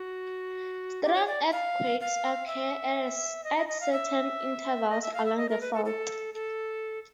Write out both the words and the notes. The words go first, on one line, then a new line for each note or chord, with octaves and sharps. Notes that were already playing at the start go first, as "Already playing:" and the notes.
Strong earthquakes occur at certain intervals along the fault.
Already playing: F#4
G4
C#5
D5
F5
F5
E5
D#5
D#5
D#5
F5
E5
D#5
E5
F5
E5
D#5
A#4
B4
A4
A4
A4